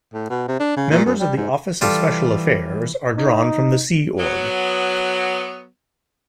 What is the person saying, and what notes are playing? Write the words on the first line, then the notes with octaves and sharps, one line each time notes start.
Members of the Office of Special Affairs are drawn from the Sea Org.
A2
B2
C3
D4
C#3
A#2
F#2
G3
G#2
E3 G3 F4 A4
D#4
F#3 B3